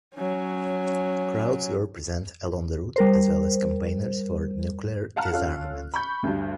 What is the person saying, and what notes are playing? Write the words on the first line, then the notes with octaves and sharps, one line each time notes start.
Crowds were present along the route as well as campaigners for nuclear disarmament.
F#3 C#4
G3 A#4 C5
F5 F#5 A5 A#5 F6 F#6
C#4 F4 A4 F5
B5 C#6 G6
D2 G2